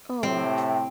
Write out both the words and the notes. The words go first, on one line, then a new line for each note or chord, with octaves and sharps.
Oh, true.
A2 C3 C4